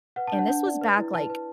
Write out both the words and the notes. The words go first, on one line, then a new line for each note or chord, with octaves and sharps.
and this was back, like,
B4 F#5
A5
D4
F#5
D4
D5
B4
E4
B4 A5
B4